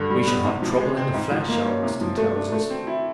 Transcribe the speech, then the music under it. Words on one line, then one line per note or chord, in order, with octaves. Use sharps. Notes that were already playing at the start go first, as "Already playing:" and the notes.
We shall have trouble in the flesh, Augustine tells us....
Already playing: G2 D3
G3
B3
C3
F3
G#3
C4
G#2
F3
A#3
C#4
C3
F3
A3
D4
A3
C4
E4